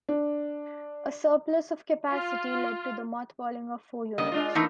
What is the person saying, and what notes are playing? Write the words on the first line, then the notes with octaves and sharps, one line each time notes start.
A surplus of capacity led to the mothballing of four units.
D4
F4
C#3 A#3 D#5
G#3 D4 F4
E3 A3 A#3 D#4